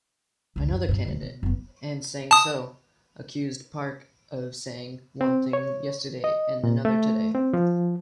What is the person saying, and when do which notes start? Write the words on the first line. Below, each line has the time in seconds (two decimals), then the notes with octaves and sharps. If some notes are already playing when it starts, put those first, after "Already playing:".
Another candidate, Ahn Sang-soo, accused Park of "saying one thing yesterday and another today".
0.56 C#2 D3
0.68 F#2 D#3
0.89 G2 A#2
1.05 D#1 D2
1.22 B2
1.43 F#1 B3
2.31 A5 D#6
5.21 C4
5.53 C#5
6.24 D#5
6.64 A#2
6.85 A3
7.34 C4
7.53 F3